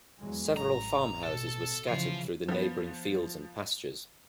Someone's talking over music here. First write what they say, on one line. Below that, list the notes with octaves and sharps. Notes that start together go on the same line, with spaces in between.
Several farmhouses were scattered through the neighbouring fields and pastures.
E2 F#3 G#3
A1 A#5
B2 A4
C#3 E3 F3 C5 F5
F3 B3